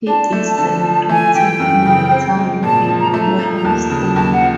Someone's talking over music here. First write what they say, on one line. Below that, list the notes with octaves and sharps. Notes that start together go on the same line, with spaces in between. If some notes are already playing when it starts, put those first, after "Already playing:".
He is celebrated in the town with a memorial stone.
D4 A5
A3
D3
F3
A3 G#5
E3 G5
F#2
C#3
C4
G#3
A#2 A5
F3
A#5
A3 A5
A#5
F3
A#5
D#2 A5
C#3 A5
D#2 A5
F#5
F3